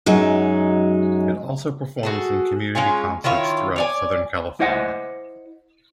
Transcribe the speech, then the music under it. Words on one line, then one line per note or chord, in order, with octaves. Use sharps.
It also performs in community concerts throughout Southern California.
F#2 F#3 G#3 D#4
F#4 G#4 A4
G#3 C#4 F4 G#5
D#3 E4 F4 C#5
C#5 D5 G#5
E4 C5 D#5 F#5